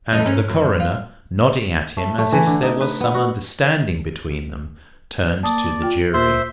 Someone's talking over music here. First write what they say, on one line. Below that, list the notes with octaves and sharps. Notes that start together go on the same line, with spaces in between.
And the coroner, nodding at him as if there was some understanding between them, turned to the jury.
E2 A3 D#4
G#2 C#4
F#2
F4
A3
A3
E3
D3
D#4
B4
B3
F#4
A#3 D5 A5 D#6
F4 G5
A#2 C5 E5 C6